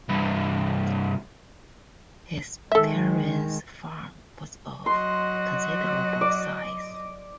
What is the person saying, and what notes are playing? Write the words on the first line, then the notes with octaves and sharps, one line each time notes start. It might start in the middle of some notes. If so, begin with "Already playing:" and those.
His parents' farm was of considerable size.
C2 G2
D#3 G#3 A4 E5
F#3 F#4 D#5 C6
D5